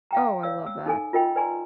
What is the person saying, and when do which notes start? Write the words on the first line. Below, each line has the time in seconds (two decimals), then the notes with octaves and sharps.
Oh, I love that.
0.11 F5 G5 A#5
0.43 C#5 D5 F5 E6
0.66 E6
0.86 D#4 A4 G#5
1.13 F4 A#4 D#5 G5 B5
1.36 B4 D5 G#5 A#5 C6